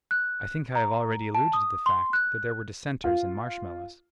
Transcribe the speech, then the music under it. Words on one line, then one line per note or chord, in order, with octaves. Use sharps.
I think I have already alluded to the fact that there were Dissenters in Marshmallows.
F#6
A#5
A5
D#6
C6
F#6
F4